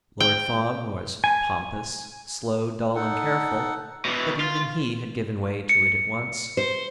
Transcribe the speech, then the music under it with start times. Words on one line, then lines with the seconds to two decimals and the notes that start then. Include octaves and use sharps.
Lord Fawn was pompous, slow, dull, and careful; but even he had given way to it at once.
0.20 G5
1.24 G#5
2.95 D#4 A4 F#5
4.05 B2 E3
4.40 F4
5.69 C#7
6.57 C5